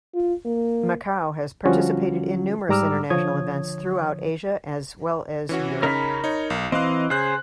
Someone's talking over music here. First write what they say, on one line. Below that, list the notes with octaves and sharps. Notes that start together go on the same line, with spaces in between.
Macau has participated in numerous international events throughout Asia as well as Europe.
F4
A#3
D3 F3 G3 C#4 F4 F#4
G#2 G3 A#5 D6 E6 F6
D3 F3 C#5 D#6 G#6
E3 C#4 F#4
C#3 C#4 D#4 A#4 B5
D#4 C#5
B1
E3 C4 D#5 F5 F#6
C#3 G#4 C5 F#6